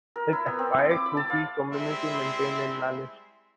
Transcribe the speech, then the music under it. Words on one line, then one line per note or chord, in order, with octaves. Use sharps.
It aspired to be community maintained and managed.
A#4
E4
B3
C4
E4
D6
B5
A5
F5
G3 G#3 C4 E4 E5 C6